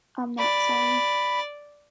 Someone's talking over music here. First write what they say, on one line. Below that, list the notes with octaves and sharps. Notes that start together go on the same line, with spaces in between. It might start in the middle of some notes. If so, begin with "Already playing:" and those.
I’m not sorry.
D5 B5